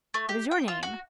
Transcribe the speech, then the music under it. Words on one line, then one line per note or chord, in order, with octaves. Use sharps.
"What is your name?"
A3
G4
G5
F4
F#4